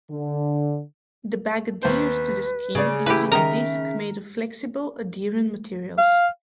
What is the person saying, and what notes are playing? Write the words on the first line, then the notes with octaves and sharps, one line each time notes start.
The bag adheres to the skin using a disk made of flexible, adherent materials.
D3
D#2 B4 C5
C#3 G#4 D5
A1 E4 G4 B4
D#3 A#4 D#5 E5 A#5
F5